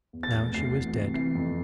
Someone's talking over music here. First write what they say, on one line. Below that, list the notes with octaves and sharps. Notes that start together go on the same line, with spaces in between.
Now she was dead.
E2
A6
F1
D2 C7
E3
C3
E3 C7
F2